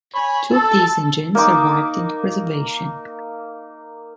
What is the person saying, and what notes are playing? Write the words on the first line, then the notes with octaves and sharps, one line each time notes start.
Two of these engines survived into preservation.
C#5 G#5 B5
A4
A#3 D#4 D6